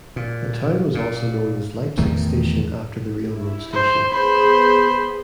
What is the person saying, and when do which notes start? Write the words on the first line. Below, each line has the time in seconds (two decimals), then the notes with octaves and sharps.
The town was also known as Leipsic Station after the railroad station.
0.16 A#2
0.95 A#2
1.97 E2 A2 D#3 E3
3.32 E4
3.73 C5
4.11 B3 G#4 C5 B5